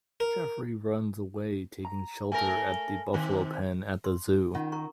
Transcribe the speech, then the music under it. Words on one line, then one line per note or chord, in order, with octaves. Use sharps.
Jeffrey runs away, taking shelter at the buffalo pen at the zoo.
A#4
A#5
A3 A#4 G#5
C3 D#3 C4
C6
D#3 C#4 F4 F#5
A#4 A#5 C#6